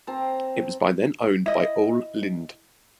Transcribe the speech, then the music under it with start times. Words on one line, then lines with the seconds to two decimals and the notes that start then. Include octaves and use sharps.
It was by then owned by Ole Lind.
0.07 C4 A5 A#5
1.46 E4 D#5